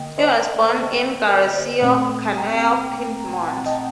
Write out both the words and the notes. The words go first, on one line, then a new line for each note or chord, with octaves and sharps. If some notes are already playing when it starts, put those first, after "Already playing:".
He was born in Garessio, Cuneo, Piedmont.
Already playing: D3 A#3 D#5 G5
C5 D#5
A#4 D5
C5 D#5
A#2 A3 C4
G5 A#5
G5 A#5
F#5 A5
D#5 G5